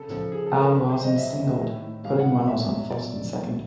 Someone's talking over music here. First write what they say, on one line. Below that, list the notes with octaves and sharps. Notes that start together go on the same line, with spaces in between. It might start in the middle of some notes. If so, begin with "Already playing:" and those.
Al Rosen singled, putting runners on first and second.
Already playing: C#3 A4
F3 A4
C#3 G#4
A4
F3
A#4
C3 B4
C5
C3
D#5
F#3 E5
D#3
A2
A2
G3 F5
F#5
E3
F#5
B2 E5
F#3
B2 D5